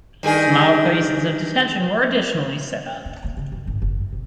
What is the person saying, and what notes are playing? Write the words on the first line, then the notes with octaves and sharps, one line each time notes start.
Smaller places of detention were additionally set up.
G2 D#3 G#4
C#4
A#3
C#3
F#2
G#1
F#1
E3
B2